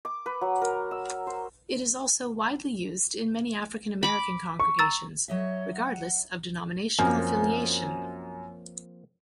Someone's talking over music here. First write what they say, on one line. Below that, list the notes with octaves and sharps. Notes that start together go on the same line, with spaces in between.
It is also widely used in many African-American congregations regardless of denominational affiliation.
D6
B4
F#3
A#4
E6
C5
B5 D6
C#6
A#5 E6 A6
F#3 C#5 D#5 E5
F#5
F#2 F3 A#3 C4